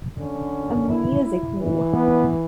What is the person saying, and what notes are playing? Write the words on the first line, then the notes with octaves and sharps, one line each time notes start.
A Music War.
D3 C#4
E4
E4
E3
B3